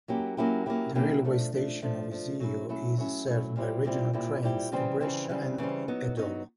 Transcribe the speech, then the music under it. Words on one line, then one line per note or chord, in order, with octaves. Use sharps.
The railway station of Iseo is served by regional trains to Brescia and Edolo.
F#3 A#3 C#4 E4 G4
F#3 A#3 C#4 E4 G4
F#3 A#3 C#4 E4 G4
F#3 A#3 C#4 E4 G4
F3 A3 D4
F3 A3 D4
F3 A3 D4
F3 A3 D4
F#3 A3 C#4 E4
F#3 A3 C#4 E4
F#3 A3 C#4 E4
F#3 A3 C#4 E4
A#2 G3 C4 E4 G4
A#2 G3 C4 E4 G4
A#2 G3 C4 E4 G4
A#2 G3 C4 E4 G4
C#3 E3 G3 C4
C#3 E3 G3 C4
C#3 E3 G3 C4
C#3 E3 G3 C4
F#3 B3 D#4
F#3 B3 D#4